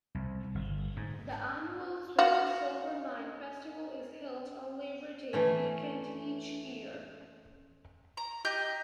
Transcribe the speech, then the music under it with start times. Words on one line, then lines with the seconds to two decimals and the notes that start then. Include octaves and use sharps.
The annual Swift Silver Mine Festival is held on Labor Day weekend each year.
0.15 C2
0.55 G1
0.97 G#2
2.19 F#4 F5
5.33 E3 A3 C#4
8.17 A#5
8.45 G4 D#5 G6